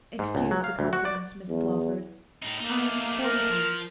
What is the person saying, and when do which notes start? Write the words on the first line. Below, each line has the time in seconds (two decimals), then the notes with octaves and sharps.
'Excuse the confidence, Mrs Lawford, I'm forty-three.'
0.19 G#2
0.35 C#2
0.51 F#3
0.64 F5
0.79 D2
0.93 F#4
1.05 D5
1.49 E2
2.42 A2 D#4
2.60 A3 A#3 D#4
3.24 A#4
3.51 F3